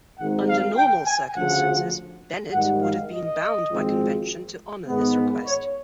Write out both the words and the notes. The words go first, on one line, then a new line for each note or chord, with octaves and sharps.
Under normal circumstances, Bennett would have been bound by convention to honour this request.
G#1 G#2 D#3 G#3 F#5
F5
G5
G#5
D2 C#3 F3 F#5
G#2 D#3 G3 F#5
F5
D#5
G#1 G#2 F3 G#3 C4
G#2 D#3 G#3 B3
C#5